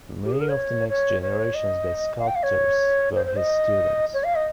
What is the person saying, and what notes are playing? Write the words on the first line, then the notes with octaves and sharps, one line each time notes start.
Many of the next generation's best sculptors were his students.
G4
G#4
A#4
C#5
C#5
C#5
D#5
F5
G5
F5
C#5
C5
C5
D#5
C#5
F5
D#5